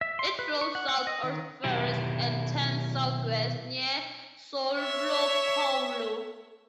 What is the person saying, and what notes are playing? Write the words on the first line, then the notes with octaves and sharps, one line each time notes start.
It flows south at first, and turns southwest near Soulopoulo.
E5
C6
B4
C#6
F#5
F#5
D#5
D#3
B2 D#3 F#3 E4 G4
C#5 E5